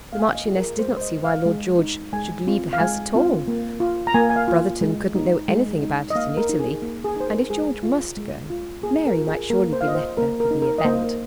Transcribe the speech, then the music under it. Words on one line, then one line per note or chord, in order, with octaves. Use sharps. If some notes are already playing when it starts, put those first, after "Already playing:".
The Marchioness did not see why Lord George should leave the house at all. Brotherton couldn't know anything about it in Italy, and if George must go, Mary might surely be left there for the event.
A#3 F5
G#5
F5
D#5
F4
G#4
A#4
G#3 C5
C5
D#5
D#4
F5
G#3
D#4
G#3 G#5
C4 F4
F5
G#3 G#5
C4 F4
A#3
F4
A#5
A#3 G#5
G#5
F5
F4
G#3
D#4
G#3
D#4
D#5
A#3 F5
A#4
D#4
G#4
A#3
G#4
D#4 C5
A#4
G#3 G#4
F4
G#3
F4
A#3 G#4
A#4
F4
G#4
A#3 A#4
C5
F5
F4 D#5
C5
A#3 A#4
A#4
D#4
A#4
D#5
A#3 C5